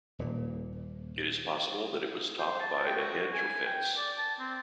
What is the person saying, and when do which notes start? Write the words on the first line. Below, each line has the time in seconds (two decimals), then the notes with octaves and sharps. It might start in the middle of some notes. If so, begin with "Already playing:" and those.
It is possible that it was topped by a hedge or fence.
0.19 D#1 A#2
2.39 C5
2.60 A5
2.86 G5
2.97 F#4
3.33 G#5
3.66 G5
3.97 D5
4.18 A5
4.39 C4